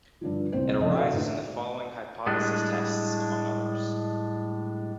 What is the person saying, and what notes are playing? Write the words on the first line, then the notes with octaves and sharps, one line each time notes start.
It arises in the following hypothesis tests, among others.
G2 D3 F3
C2 A#2 C4 C5
F1 A#2 C#3 F4 D#5
F#4 A4 B4 E5 F5
A2 D3
A2 G3 G#3 D4